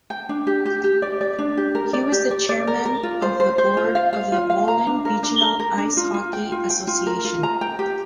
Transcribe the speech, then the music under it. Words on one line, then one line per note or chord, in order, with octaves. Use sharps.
He was the chairman of the board of the Volyn Regional Ice Hockey Association.
G5
D4
G4
G4
G4
D5
D5
D4
G4
A#4
D5
G4
D5
D5
A#4
A#4
F4
C5
C5
C5
F4
F5
F5
F4
F5
A#5
D4
A#4
D4
A#4
A#4
D4
F4
F4
G5
F4
G5
F4
A#4
F4
A#5
G5
G4